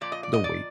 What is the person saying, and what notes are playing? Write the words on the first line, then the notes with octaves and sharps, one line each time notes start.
the weight
A#2 F3 D5
D#5
D5
D#5
D5